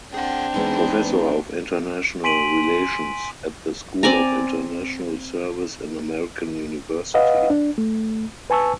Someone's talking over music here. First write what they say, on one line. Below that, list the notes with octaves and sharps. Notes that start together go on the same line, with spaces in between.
Professor of International Relations at the School of International Service in American University.
C4 D4 G#4 F#5 G5
E2 G#3 B3 D#4
G#5 C6 B6 D7 D#7 F#7
C4 D5 G#5 A#5
B4 D#5 F5 F#5
D4
A3
B4 G#5 A5 C#6 E6